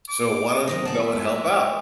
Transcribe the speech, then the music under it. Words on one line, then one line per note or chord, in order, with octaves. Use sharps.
so, why don't you go and help out?"
D6
C3 D#3 F#3 D#5
B3 G#4 D5 A5
E5
G#3